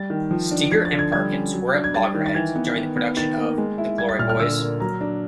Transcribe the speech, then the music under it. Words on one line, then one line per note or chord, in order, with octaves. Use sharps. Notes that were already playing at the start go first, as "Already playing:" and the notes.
Steiger and Perkins were at loggerheads during the production of "The Glory Boys".
Already playing: G3 A6
D#3
F3
D4
F3 G#6
A6
D3
G#6
G3 G#6
C#4
F#3
D4
G#6
G3 A6
D#3
A6
E3 G#6
B3
D#3
B3
D#3 A6
A#3
G#3
E4
G3 G#6
A6
A#2 F6
F6
D3 E6
A#3
F#3 A#5
D4